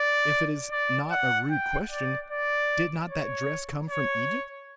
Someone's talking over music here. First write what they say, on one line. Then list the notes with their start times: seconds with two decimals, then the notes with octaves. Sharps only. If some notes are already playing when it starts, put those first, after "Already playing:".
"If it is not a rude question, did not that dress come from Egypt?"
Already playing: D5
0.72 D5
1.11 F#5
1.51 G5
1.91 D5
2.30 D5
3.11 C#5
3.90 C#5